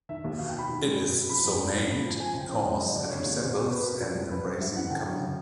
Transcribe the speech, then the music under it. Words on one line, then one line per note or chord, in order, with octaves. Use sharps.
It is so named because it resembles an embracing couple.
D#3 E5
D#2
B2 F5
G5
B2 B5
D#3
G#3
B2
B2
F3 B5
F2
F#3
B2
G#2
F3
F3 G#5
C#3
G5
C4
G#3
F#2 D#5
D3 D5
C#3 C#5
D#2
B2 C5
B2
B3 B4
B2 A#4
F3
C2
F#2 B4
F#2 C5
G3 E5
E3 F#5
D3 G5
F#2
C#3